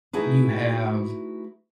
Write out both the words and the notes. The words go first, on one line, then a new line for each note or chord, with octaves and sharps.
you have
A3 D#4 E4 F#4 G#4 B4